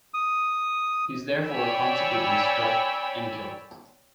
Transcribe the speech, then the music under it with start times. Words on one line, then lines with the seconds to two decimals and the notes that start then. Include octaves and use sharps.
He is therefore consequently struck and killed.
0.14 D#6
1.46 C#5 D5 G5 G#5 B5 E6